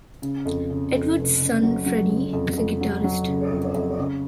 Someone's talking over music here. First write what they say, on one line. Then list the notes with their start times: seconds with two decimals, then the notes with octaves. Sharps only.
Edwards's son Freddie is a guitarist.
0.22 C#3
0.45 F2
0.70 C#3
0.93 F2
1.16 F1
1.40 C#3
1.63 F#3
1.86 F#3
2.10 C#3
2.33 F2
2.57 F2
2.81 F#3
3.04 F#3
3.27 C#3
3.51 F2
3.74 F2
3.98 C#3